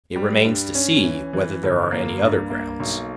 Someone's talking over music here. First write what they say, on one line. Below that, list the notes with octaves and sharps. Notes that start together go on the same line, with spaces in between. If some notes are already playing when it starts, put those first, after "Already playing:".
It remains to see whether there are any other grounds.
G3
G2
C#4
E3
E3
G1
A#3
G2
A#3
B1